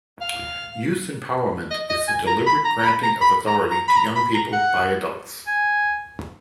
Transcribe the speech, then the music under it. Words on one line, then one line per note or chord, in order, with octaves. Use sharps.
Youth empowerment is the deliberate granting of authority to young people by adults.
F5
D#5
D#5
G#5
A#5
B5
A#5
A#5
B5
A#5
B5
A#5
A#5
B5
A#5
B5
A#5
F#5
G#5